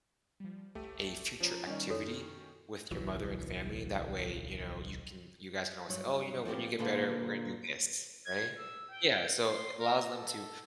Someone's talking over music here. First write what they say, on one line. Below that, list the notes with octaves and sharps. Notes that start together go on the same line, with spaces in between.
a future activity with your mother and family. That way, you know, you can you guys can always say, "Oh, you know, when you get better, we're gonna do this," right? Yeah, so it allows them to
F3 G3
G1 C2 A3 G4 D#7
F3 C#4 C#5 A#5
D#3 G3 C#4 D5 D#5 G#5
F#2 E4 F#4 A4 C#5
D1 B1 E3 F#3
G2 F#3
F3 B3 C4 G4
A#2 D3 A#3 A4 B4 F5
G#6
E6
G5
C6
A#4
A4